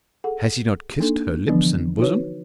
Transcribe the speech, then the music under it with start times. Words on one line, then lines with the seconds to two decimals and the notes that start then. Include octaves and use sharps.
Has he not kissed her lips and bosom?
0.24 G#4 A4 F#5
1.00 A#3 D4 D#4 A4
1.47 D3 E3 F3 G3 B3 D4
1.98 D#4 F#4 B4 C#5